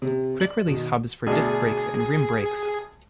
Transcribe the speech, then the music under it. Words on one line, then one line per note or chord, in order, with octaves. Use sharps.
Quick release hubs for disc brakes and rim brakes.
C3
D5 F#7
B2 D#3
D2 B2 D4 G#4